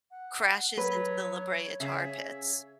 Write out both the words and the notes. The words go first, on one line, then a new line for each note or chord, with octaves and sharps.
crashes into the La Brea Tar Pits.
F#5
F#3 B4 C#5
C#3 G#4 E5